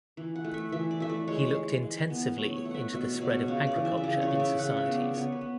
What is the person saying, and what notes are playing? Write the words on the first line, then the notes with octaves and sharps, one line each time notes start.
He looked intensively into the spread of agriculture in societies.
E3
F#5
A3
E5
E3 E5
D5
A3 E5
D5
G#3 C#5
G#3
E3
B3
A3 C#5
C#5
A3
E5 F#5
B2 E5
C#5
B2 D5
C#5
C#3 C#5
D5
E3
E5
E5
C#3 D5
C#5
C#3
E5
C#3 F#5
E5
B3
D5
B3 C#5
B4
B3